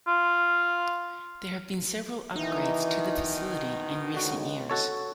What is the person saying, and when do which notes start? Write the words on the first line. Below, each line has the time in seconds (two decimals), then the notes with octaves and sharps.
There have been several upgrades to the facility in recent years.
0.07 F4
2.36 B2 D#3 E3 D#4
4.14 C#2 D3 F#4
4.70 F#4 A4 C#5